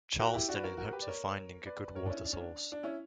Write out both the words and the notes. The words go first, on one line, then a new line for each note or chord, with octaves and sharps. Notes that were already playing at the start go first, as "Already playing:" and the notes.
Charleston in hopes of finding a good water source.
F#4 A#4
E4 G4
D4 F#4
B4
F#4 A#4
F#4 A#4
G4 B4
D5
A#4 C#5
B4 D5
A#4 C#5
D4
C#4 E4
D4
C#4
D4
D4
C#4 E4